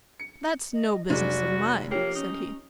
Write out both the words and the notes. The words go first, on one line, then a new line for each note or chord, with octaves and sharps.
"That's no business of mine," said he.
C#7
D#5
F1 F#3 G#3 F#4 D5
F3 A#3 G4 C#5
C#4 D#4